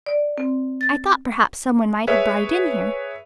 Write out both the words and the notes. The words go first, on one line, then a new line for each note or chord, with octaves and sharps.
I thought perhaps some one might have brought it in here.
D5
C4
A6
G#4 B4 C#5 E5